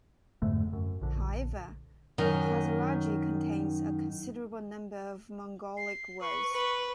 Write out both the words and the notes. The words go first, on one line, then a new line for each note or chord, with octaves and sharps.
However, Hazaragi contains a considerable number of Mongolic words.
F2 G#2 D3 A3
F#2
A#1 D3
F#2 D#3
C7
B4 C#6
B4